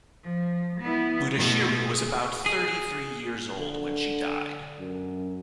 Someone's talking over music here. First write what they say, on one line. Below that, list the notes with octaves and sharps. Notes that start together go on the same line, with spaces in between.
Budashiri was about thirty-three years old when she died.
F3
B3 E4
B2 A3
G#4
G#4
D3
F#2